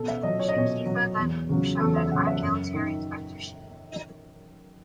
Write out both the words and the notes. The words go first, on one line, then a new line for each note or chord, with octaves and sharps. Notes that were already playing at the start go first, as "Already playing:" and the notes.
Shi Kefa then shouted I'm Military Inspector Shi.
Already playing: B2 A4
E5
F#3 D#5
C#5
D#5
B2 C#5
F#3
E2
C#3 F#3
E2 A4
E5
C#3 F#3 F#5
E5
F#2
D#3